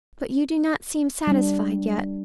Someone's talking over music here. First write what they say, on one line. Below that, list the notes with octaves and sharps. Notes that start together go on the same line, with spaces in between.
But you do not seem satisfied yet?
G3 D4